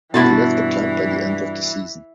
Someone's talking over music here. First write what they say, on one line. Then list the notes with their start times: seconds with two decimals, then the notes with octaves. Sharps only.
He left the club by the end of the season.
0.14 G2 B2 E3 E4 F#4 A5